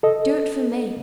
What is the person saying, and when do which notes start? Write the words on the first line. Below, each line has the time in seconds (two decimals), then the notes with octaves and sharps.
Do it for me....
0.03 A4 D#5